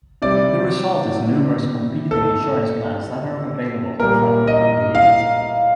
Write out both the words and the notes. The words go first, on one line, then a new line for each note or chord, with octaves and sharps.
The result is numerous competing insurance plans that are available to federal employees.
C3 G3 D5
A4
A#2 G3 A#4
D#5
F5